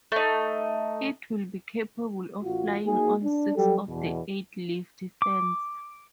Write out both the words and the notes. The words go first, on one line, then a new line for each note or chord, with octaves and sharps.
It will be capable of flying on six of the eight lift fans.
A3 D#4
A1 F4 F#4
A#3 D#4 F#4 G#4
D4
F#3 G3 F#4 G4 A4
E2 B2
D6